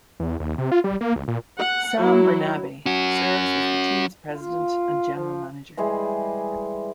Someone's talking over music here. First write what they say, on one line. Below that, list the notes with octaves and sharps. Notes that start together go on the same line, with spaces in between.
Sam Bernabe serves as the team's president and general manager.
E2
D#2
C3
F4
G3
A#3
C#2
A#2
F#5
F#3 E4 F#4
C#4 F#4
F4
F3
E3 G3 G#3 G#4